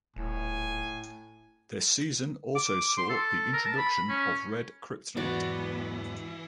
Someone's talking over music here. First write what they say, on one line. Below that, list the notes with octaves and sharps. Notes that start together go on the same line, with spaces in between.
This season also saw the introduction of red kryptonite.
D#1 A2 G#5
D6
C6
A4
A#4
A5
B5
C#4
E2 G#2 E3 B3 F#4 D5